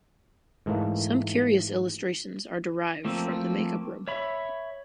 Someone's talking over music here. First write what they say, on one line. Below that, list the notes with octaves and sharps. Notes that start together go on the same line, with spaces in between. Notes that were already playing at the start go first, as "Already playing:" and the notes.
Some curious illustrations are derived from the makeup room.
G#2 E3 A3 A#3
F3 A3 A#3 C4
C#5 E5 B5